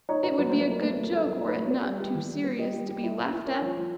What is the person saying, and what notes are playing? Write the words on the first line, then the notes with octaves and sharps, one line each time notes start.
It would be a good joke were it not too serious to be laughed at.
D#4 C#5
D#4 B4
F#3 B4
C5
A3
B4
F#3 A#4
A3 B4
B4
A3
A#4
F#3 A4
A4
F#3 A#4
A#4
D#4
B4
A3 C#5
B3 D5
G3
G3
E3
G3
B3
G3 D#5
G3
G3
E4
B3
E4
C#4 A#4
F3
F3